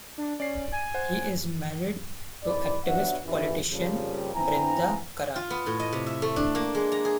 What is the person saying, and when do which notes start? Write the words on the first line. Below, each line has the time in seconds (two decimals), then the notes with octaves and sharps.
He is married to activist-politician Brinda Karat.
0.18 D4
0.40 C#4 D5 C7
0.72 G#5
0.94 C5 F#5
2.43 C2 G#2 E3 B4 D5
2.84 B3 D4 F#4 C#5 E5 F#5
3.25 G#1 G2 E3
3.70 F2 A#2 C#3 F3 G3
4.35 B3 C4 E4 G5 G#5 A#5
5.36 F4
5.50 B3
5.66 A2
5.80 D#5
5.93 C3
6.06 E5
6.22 A3
6.36 D4
6.55 A#3
6.75 G#3
6.92 A#5
7.05 G#4